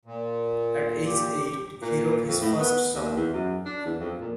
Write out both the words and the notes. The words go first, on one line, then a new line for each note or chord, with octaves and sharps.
At age eight, he wrote his first song.
A#2
G4
A#2
F2
A2
B3
D#2
E2
F#2
D4
E2
F2
A#2